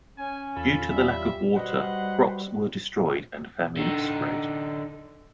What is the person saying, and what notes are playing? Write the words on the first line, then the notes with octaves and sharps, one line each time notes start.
Due to the lack of water, crops were destroyed and famine spread.
C#4 G#5
E2 F4 A4 B5
G3 E5
F#4 B4 C5 D#5 F#5
D3 D#4